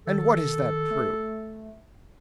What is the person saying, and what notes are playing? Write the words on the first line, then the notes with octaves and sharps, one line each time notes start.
"And what is that proof?"
D#3 A4
A3